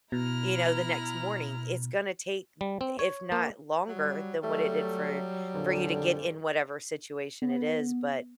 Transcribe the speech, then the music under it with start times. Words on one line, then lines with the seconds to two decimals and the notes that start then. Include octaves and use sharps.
you know, the next morning, it's gonna take, if not longer than what it did for for you to get in whatever situation it is, but,
0.12 B2 E4 A#5 F6
2.61 G3
2.81 C4
2.99 C#5
3.32 A#3
3.88 F#3 G3
4.43 F#3 G3 A3
5.55 F2 A#2 D3
7.42 B3